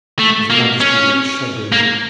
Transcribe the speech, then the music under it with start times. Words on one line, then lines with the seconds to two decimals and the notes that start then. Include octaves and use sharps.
His Majesty looked chagrined.
0.19 A3
0.50 A#3
0.81 C#4
1.72 A#3